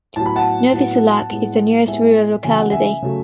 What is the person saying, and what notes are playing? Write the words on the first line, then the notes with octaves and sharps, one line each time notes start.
Novy Sulak is the nearest rural locality.
A2 F#3 B3 A5
B5
F#5 A5
A2 F#3 B3
A2 G#3 B3
A2 G#3 B3 E5 G#5
E2 C#3 F#3 A3 G#5
F#5
E5 G#5
C#3 F#3 A3